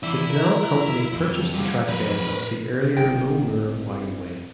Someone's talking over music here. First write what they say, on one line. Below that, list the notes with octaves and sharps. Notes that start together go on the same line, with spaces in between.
The canal company purchased the trackbed of the earlier Low Moor Waggonway.
E3 E4 D5
A#4
F2
G3 F4
F2 F#3 A#4 B4
F#1 C2 F#2 D3 D#3 G5